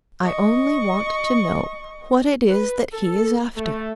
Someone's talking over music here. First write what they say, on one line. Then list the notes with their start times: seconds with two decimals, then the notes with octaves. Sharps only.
I only want to know what it is that he is after.
0.23 D#5 C#6
2.49 B4
2.93 A4
3.56 A3